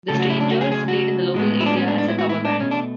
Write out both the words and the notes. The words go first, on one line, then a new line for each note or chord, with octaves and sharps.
The Strangeurs played in the local area as a cover band.
C#3 F#3 A3 A4
F#4
E4
D4
F#4
G#4
G#4
F#4
A2 G#3 B3
E4
D4
C#4
D4
D4
E4
F#4
E4
D4
B2 A3 C#4
D4